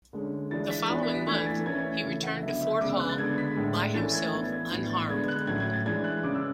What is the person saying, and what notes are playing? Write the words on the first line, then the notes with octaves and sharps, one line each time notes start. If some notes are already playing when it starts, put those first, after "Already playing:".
The following month he returned to Fort Hall by himself unharmed.
D3 G#3 C#4
E3 G#3 D4 A6
B6
E3 B3 D4 A6
B6
B6
E3 A3 D4 G#6
A6
E3 A3 C#4 G#6
C#3 E3 A3
F#5
D3 F#3 B3 E5
E5
C#3 G#3 B3 D4 D6
E6
F#6
A6
D3 G#3 B3 D4 G#6
B6
A2 G#3 D4
E3 A3 C#4 A6
G#6
E3 B3 D4 G#6
A6
G#6
A2 E3 B3 D4 G#6
A6
D3 G#3 B3 D4 G#6
F#6
A2 F#3 C#4 G#6
G#6
A6
E3 G#3 D4 G#6
F#6
C#3 G#3 C#4 D6
E6